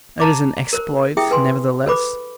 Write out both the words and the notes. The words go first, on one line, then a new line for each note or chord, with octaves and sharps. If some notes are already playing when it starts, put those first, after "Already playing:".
"It is an exploit, nevertheless."
A5 A#5 D6
A#4 C5
E4 G#4 E5 G5 D#6
B4 G#5 C6
A4 B4 C5 B5 D6